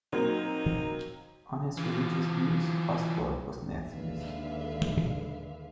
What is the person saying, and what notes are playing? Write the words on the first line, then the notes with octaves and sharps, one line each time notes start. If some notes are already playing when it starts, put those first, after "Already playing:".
On his religious views, Ostwald was an atheist.
F#3 A#3 C4 D#4
E3 F4
D#2 D3 G#3 B4 E5 F5